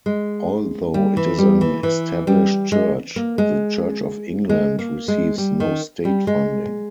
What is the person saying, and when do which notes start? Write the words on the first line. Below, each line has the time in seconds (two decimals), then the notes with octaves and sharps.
Although it is an established church, the Church of England receives no state funding.
0.06 G#3
0.94 G3
1.17 E3
1.38 G3
1.61 E3
1.83 E3
2.27 G3
2.72 G#3
3.16 A#3
3.38 G#3
4.49 G#3
4.79 A#3
5.08 G#3
5.38 G3
5.60 D#3
6.05 G3
6.27 G#3